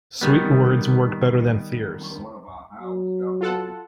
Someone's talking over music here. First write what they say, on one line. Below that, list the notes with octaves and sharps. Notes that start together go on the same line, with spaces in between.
Sweet words work better than fierce.
D#3 G3 B3
F#3
F4 A4 F#5